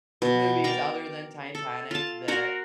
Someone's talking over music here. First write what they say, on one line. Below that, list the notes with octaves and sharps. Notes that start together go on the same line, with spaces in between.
movies other than Titanic that
B2
A#4 D5 G5
A4
F4 A5
F#4 A#4 C5 F#5